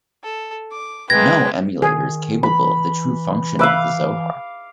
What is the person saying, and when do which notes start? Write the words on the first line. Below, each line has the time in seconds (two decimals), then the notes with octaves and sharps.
No emulator is capable of the true function of the Zohar.
0.24 A4
0.72 D6
1.10 G#3 A#3 B4 G5 G#6 A#6
1.82 D#3 G#4
2.43 E3 B5
3.59 B4 E5 F5 D6